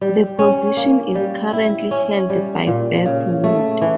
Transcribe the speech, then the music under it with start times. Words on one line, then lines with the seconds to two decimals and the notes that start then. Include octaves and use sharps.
The position is currently held by Beth Wood.
0.01 G3
0.39 C#4
0.77 A#3
1.15 G3
1.53 E4
1.91 C#4
2.30 G3
2.67 A#2
3.05 C#3
3.44 A3
3.81 E3